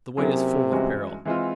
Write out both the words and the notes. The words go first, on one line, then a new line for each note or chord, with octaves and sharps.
The way is full of peril.
C3 F#3 A#3 C#4 E4 G#4
G2 E3 G#3 C#4 F#4
E3 G#3 C4 F4